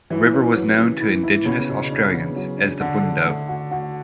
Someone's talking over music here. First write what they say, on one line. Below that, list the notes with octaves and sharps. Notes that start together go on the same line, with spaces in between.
The river was known to Indigenous Australians as the Bhundo.
E3 F#3
C#4
F#3
C#3
E4
E4
C#3 B3
B2
D4
B3
F#3
D4
D3 F#4
A4
A3
F#4
F#4